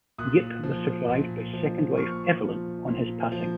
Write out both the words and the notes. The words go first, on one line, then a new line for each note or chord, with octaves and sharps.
Yip was survived by second wife Evelyn on his passing.
A#2 D#6 F#6
F3
A#2
F3
A#2 C#6 F6
F3
A#2
F3